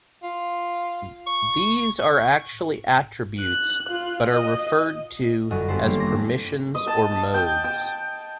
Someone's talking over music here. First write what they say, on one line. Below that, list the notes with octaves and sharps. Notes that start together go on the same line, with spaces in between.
These are actually attributes but are referred to as permissions or modes.
F4
C#6
F#6
F4
D#5
G1 F#2 F#4 D#5 A#6
B3 G4 A4 B4 C5
D#3 G3 A#3 C4 D4 C#5
F#2 A#6
D#5
A5
A5
G5
G5